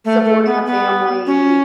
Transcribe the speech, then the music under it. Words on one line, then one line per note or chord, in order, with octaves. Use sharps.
supporting a family,
A3
A3
B3
B3
C#4